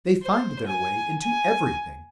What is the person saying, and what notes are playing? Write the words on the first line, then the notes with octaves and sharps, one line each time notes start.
They find their way into everything.
C5
G#5
G#5